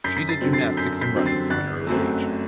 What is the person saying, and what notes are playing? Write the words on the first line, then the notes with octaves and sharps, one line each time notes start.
She did gymnastics and running from an early age.
F#2 G6 B6
B6
A6 C7
D3 F#3 C4
A6 C7
F#2 G6 B6
G6 B6
D3 F#3 C4
A6 C7
G1 F#6 A6
F#2 F#3 A3 C4